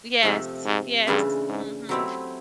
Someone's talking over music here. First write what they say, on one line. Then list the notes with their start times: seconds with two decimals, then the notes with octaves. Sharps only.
Yes, yes, mhm.
0.23 G#2 C3 F3 A3
0.65 G#2
1.07 G2 C#3 E3 A3 D4 F4
1.49 G#2
1.89 B2 F#3 A3 C4 E4 G4